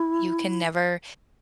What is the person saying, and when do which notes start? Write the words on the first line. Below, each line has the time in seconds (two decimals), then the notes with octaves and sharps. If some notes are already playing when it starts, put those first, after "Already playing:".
you can never
Already playing: E4